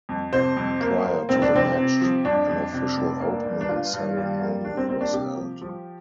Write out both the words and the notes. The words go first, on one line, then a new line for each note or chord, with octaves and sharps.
Prior to the match an official opening ceremony was held.
F2
C3 C5
F2
A#3
A#3
F1 C4
D4
C3 C4
C3
F3
F2 D4
F2
C3
F1
A#3
G1
D4
G2 F4
G2
G3
A#3
G3 D4
C4
A#3 C4
D4
C3 G4
F3
F3